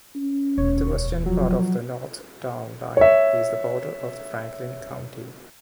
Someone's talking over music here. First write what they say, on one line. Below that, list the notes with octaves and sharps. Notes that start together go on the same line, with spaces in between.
The western part of the north town line is the border of Franklin County.
C#4
E1 D2 C#5
F3 F#3
C#5 E5